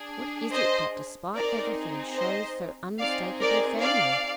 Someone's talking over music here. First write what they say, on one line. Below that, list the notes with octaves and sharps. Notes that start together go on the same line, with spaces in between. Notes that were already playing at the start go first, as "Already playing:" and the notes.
What is it that despite everything shows so unmistakably feminine?
Already playing: D4 G#4
C5 D#5
C4 D#4 G#4 A#4 D5
C5 D#5
C4 D#4 G#4 D5 F5
A#4 D5
D5 F5